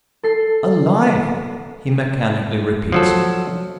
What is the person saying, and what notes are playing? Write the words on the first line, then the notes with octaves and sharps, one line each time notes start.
"Alive!" he mechanically repeats.
A4 C7
F3 F#3 A4